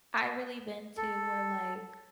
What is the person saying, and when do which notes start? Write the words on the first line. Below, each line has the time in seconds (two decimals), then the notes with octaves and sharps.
I really been to were, like,
0.97 A4